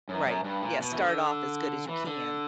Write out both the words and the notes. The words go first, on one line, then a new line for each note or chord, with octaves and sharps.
Right. Yeah, start off as good as you can.
F#2
F#2
G2
A#2
B2
E3
D3
E3
D3